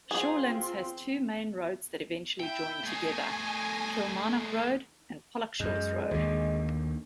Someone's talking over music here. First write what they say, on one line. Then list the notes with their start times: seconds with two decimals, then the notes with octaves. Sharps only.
Shawlands has two main roads that eventually join together, Kilmarnock Road and Pollokshaws Road.
0.11 C4 F4 G#4
2.40 E4 E5 G5
2.83 A3 G#4 G#5 A5 A#6
5.60 F#2 G#3
6.11 D#2 D3